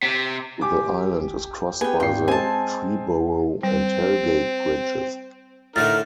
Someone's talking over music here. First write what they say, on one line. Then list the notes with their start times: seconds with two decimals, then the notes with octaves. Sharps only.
The island is crossed by the Triborough and Hell Gate bridges.
0.03 C3
0.61 G4 G#5 D6
1.81 B3 G4 G#4 G5 G#5
2.00 G#1 F4 G5 C7
2.28 G#3 C4 G#5 A5
3.63 G3 C4
5.76 A2 D3 A3 D#4 A#4 F6 A6